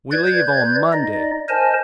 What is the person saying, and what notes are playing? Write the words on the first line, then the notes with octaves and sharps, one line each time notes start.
"We leave on Monday."
B4 D5 G6 G#6
D#4 D5 D#5
A#4 C5 D#5 G#5 A5